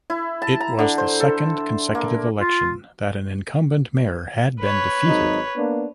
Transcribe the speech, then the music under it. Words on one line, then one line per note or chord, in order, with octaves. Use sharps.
It was the second consecutive election that an incumbent mayor had been defeated.
E4
A5
A#5
D3
C5
A4
A#3
F4
B4 C#5
G#1 F#3 D#4
A#3 B3 D4